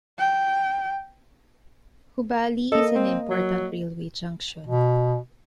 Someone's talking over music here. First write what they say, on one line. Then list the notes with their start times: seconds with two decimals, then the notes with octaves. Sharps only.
Hubballi is an important railway junction.
0.19 G5
2.72 A#3 A4 D#5
2.95 C4
3.31 F#3
4.67 B2